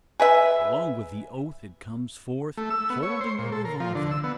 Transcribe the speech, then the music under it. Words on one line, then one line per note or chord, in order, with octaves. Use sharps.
Along with the oath it comes forth, holding a revolver.
G#4 B4 E5
A3
E6
B3
C#5
C5
A#2
A4
A#4
F3
D3
E6
B3